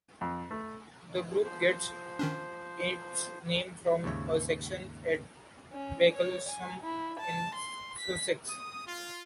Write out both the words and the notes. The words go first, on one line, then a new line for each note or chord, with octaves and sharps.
The Group gets its name from a section at Bracklesham in Sussex.
F2
A3
F3 C5
D#3 C#4 D4
D#2 G#2 C#3 C#5 E5
C#4
C#5
G#5
E4
A5
C6
B6
D#6
F4